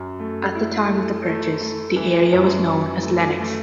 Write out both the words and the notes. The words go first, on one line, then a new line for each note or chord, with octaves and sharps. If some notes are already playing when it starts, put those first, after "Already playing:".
At the time of the purchase, the area was known as Lenox.
Already playing: F#2
A3
E4
A3
A3
A3
E3
F#2
E3
A3
A3